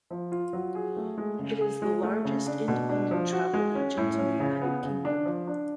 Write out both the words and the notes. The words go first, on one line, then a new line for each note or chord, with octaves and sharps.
It is the largest independent travel agent in the United Kingdom.
F3
F4
F#3
G#4
A3
G#3
C#3
G#4
G#3
A3
C#3
D4
B2
D4
F3
F#4
G#3
C#4
A2
C#4
C#3
B3
C#3
D4
F3
D4